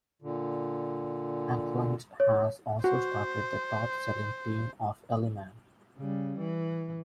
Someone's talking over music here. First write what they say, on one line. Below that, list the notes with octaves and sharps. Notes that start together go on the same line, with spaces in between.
Eklund has also started the top-selling team at Elliman.
A#2 D3
C#5
F#4 C5
C#3 G3
E3